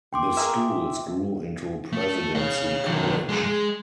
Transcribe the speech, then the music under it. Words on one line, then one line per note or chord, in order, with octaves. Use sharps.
The schools grew into Presidency College.
G5 C6 D6
A#3 G#4 A#4 E5
A3
C#5 F5
D#3 F#3
F#2 G#3
G#3